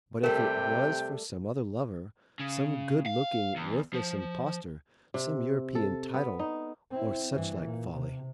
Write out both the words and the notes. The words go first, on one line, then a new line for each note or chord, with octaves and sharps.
But if it was for some other lover, some good-looking, worthless impostor, some European title or suchlike folly--!
C3 G3 A3 A#4 G5
C#3
F5
E2
F3
C3
A4
B3
D#4
C4 E4
G2 E3
A#2
C3